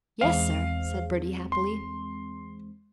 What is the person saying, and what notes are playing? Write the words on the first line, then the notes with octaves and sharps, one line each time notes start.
"Yes, sir," said Bertie happily.
E2 G#3 C4 F5
C6